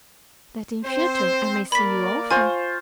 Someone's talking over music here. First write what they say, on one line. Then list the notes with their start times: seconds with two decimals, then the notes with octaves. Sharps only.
"That in future I may see you often."
0.85 C4 C5
1.72 A#3 A#4 D5 B5 B6
2.31 F4 C5 G#5 C#6